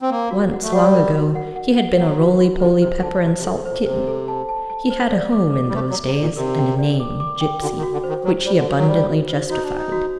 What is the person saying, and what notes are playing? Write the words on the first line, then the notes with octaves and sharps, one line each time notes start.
Once, long ago, he had been a roly-poly pepper-and-salt kitten; he had a home in those days, and a name, "Gipsy," which he abundantly justified.
C4
A#3 A#4
F#4
F#5
A3
G3 F#5
A#4
F#4
F#5
F#5
F#5
F#3 F#5
F#4
F#4
D3 C5
C3 C5
D#3
D3 A5
C3 C5
C3
A4
C3
A#2 C5
C3 C5
A4
A5
A5
A5
C5
D5
D6
D6
G3
A3 D6
F#3
D6
C3
D5
A#2
C3 A#4
G5
D5
D6
D6
G5
D3 F#4
D#3
F#4
D3
C5
D#3
F#3 C5
G3 C5
D3
D#3 F#4
F#3
G3 C5
F#4
C5
D#4 F#4
D4
F#4
D#4
F#4